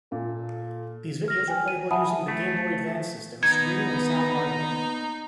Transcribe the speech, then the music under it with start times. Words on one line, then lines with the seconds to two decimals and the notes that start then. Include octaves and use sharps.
These videos are playable using the Game Boy Advance system's screen and sound hardware.
0.12 A#2 A4
1.28 F6 A#6
1.48 G5 G#5 F6
1.68 D#7
1.91 E5 F#5 G#5 A5 B5 D#6
2.28 A3
3.43 D#3 A#3 B3 D#4 G#6